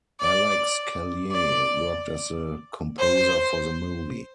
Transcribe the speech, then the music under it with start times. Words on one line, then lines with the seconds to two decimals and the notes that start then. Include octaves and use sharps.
Alex Callier worked as the composer for the movie.
0.20 D5
1.32 D5
2.99 C5